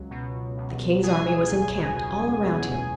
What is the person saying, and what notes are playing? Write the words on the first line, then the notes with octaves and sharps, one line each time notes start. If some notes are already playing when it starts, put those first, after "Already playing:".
The king's army was encamped all around him.
Already playing: C#2 F#3
B2
C#2
F#3 G#4 G#5
E2
B2
B2